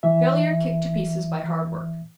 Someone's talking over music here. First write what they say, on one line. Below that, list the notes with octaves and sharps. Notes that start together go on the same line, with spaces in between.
Failure kicked to pieces by hard work.
E3 E5